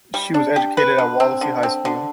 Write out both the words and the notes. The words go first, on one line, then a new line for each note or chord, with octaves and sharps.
She was educated at Wallasey High School.
G3
D4
G4
B4
D3
C4
D3
C4
D3